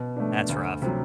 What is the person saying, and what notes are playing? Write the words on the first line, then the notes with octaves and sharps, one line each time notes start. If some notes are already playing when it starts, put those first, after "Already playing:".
That's rough.
Already playing: B2
A3 D4
D2
C3 F#3